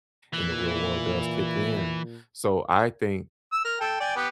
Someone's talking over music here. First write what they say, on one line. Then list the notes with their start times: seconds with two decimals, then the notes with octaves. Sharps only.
and the real world does kick in. So I think
0.33 A#2 E3
3.52 E6
3.65 A#4
3.80 A4 G5
4.00 D5 G5 G#5
4.16 B3 G4